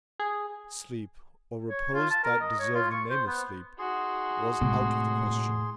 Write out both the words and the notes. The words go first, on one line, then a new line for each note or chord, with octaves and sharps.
Sleep, or repose that deserved the name of sleep, was out of the question.
G#4
C#5
F4
A5
A#4
D#5
C#5
F4
C#6
C5
B3
D#4 F#4 G#4 C6
A2 C3 G#3